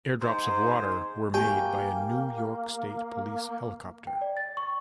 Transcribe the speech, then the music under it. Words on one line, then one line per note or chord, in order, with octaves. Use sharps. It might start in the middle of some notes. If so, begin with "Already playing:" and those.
Airdrops of water were made by a New York State Police helicopter.
G#2 C5
A#3 G4 G5 G#5
G5
D5
A6
C#6